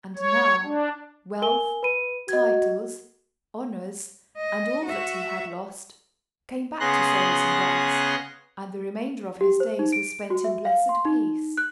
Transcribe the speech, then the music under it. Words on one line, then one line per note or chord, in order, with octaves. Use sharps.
And now wealth, titles, honors, and all that he had lost, came back to Sir Isumbras, and the remainder of his days was spent in blessed peace.
C#5
D4
A#4 G#5 G7
B4 B5 D#7
F#4 D#5 G#6
D#5
F#4 E5
C#3 B3 G#4 C6 F#6 A#6
G4
C5
D#4
D7
F#4
E5
F5
C6
D#4
F#6